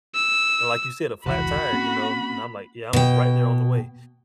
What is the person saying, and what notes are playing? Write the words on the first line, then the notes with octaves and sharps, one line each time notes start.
and like you said, a flat tire, you know? And I'm like, "Yeah, I'm r right there on the way,"
E6
F1 C#2 E3 F#4 B5
A#3 C4 C#4
B2 G5